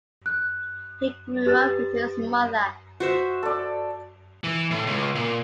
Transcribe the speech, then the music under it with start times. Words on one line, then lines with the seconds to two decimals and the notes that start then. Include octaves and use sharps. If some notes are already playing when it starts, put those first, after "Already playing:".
He grew up with his mother.
0.26 F#6
1.46 G4 B4 A6
3.00 F#4 C5 E5
3.43 A4 D5
4.44 E3
4.71 A2
4.86 C#2
5.15 A#2